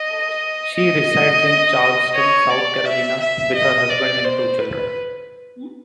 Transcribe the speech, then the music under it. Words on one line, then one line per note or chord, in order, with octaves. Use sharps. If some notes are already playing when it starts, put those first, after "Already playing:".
She resides in Charleston, South Carolina, with her husband and two children.
Already playing: D#5
D#5
C#5
D5
E5
E5
D#5
D5
C5
B4